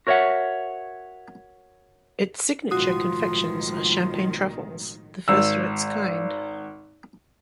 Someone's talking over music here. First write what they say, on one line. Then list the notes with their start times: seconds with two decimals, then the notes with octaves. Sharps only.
Its signature confections are Champagne Truffles, the first of its kind.
0.07 F#4 A#4 C#5 D5 E5 F#5
2.71 B1 A2 D#3 F3 G#3 F4 F#4 D#6
5.28 G#1 E6